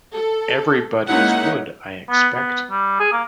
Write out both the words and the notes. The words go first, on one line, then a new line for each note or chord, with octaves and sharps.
Everybody's would, I expect.
A4
G#3 A#3 C#4 D#4 E4 F#5
B3
B3
G3
G#4
A#3